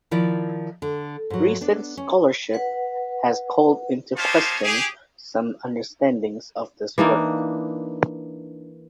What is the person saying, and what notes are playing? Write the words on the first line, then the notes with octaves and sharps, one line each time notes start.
Recent scholarship has called into question some understandings of this work.
D#3 F3 E4 D5
D3
G#2 F#3
B3 D4
C#4
B4 F#5
C#4 D#4 F4 G4 C5 A5
G4 G#4
E3 A#3 D4 D#4